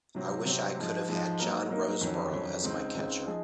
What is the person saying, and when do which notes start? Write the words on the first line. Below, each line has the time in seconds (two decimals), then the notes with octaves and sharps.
I wish I could have had John Roseboro as my catcher.
0.15 C3 F#3 C4
0.46 C3 F#3 C4
0.77 G#2 F3 G#3
1.08 G#2 F3 G#3
1.39 F#3 A#3 D#4 A#4
1.71 F#3 A#3 D#4 A#4
2.01 F2 D#3 F#3 C#4
2.33 F2 D#3 F#3 C#4
2.64 C#2 C#3 G#3 C4 D#4
2.94 C#2 C#3 G#3 C4 D#4
3.26 F3 G#3 D#4 G#4 D#5